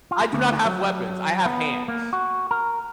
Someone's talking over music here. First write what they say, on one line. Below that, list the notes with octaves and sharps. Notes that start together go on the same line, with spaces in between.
I do not have weapons, I have hands."
F4
D2
F#3
B3
A#3
F#4
A#4